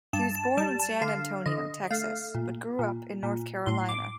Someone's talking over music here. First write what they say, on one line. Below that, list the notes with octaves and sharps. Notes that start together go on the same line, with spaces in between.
He was born in San Antonio, Texas, but grew up in North Carolina.
G2 A5
A5
G3 A5
A5
D3 F5
D3 D#5
A3 F5
A#2
A#2
A#2
A2 C6
D6